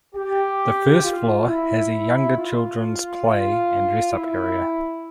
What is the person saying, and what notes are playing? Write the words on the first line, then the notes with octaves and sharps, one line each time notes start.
The first floor has a younger children's play and dress up area.
G4
F4
E4
F4
F4
E4